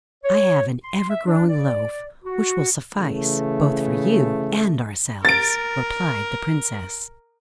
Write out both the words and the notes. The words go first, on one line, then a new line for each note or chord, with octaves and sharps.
"I have an ever-growing loaf, which will suffice both for you and ourselves," replied the princess.
C#5
C6
E5
D4
D5
F#4
C#3 E3 A3
A#4 A6 D7